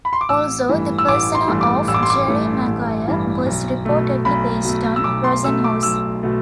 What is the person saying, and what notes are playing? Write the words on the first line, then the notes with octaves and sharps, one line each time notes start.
Also, the persona of Jerry Maguire was reportedly based on Rosenhaus.
B5
C6
D6
A1 E6
G2 E3 A3
E6
A1 D6
C6
G2 E3 A3
D6
A1 E6
D6
C6
D6
G2 E3 A3
A1
G2 E3 A3
B1
B2 A3
B1 B5
B2 A3
E6
B1 D6
C6
B2 A3 E6
D6
B1 E6
B2 A3